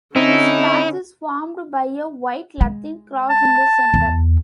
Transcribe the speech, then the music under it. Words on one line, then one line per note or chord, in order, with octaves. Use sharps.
This flag is formed by a white Latin cross in the center.
D3 C4 C#4 D#4 E4
G#3
A5
E2